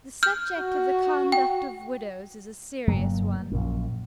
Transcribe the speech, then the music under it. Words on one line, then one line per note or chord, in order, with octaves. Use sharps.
The subject of the conduct of widows is a serious one.
F6 G6
F#4
G5
F#1 G2 F#3 A#3
A#1 F#2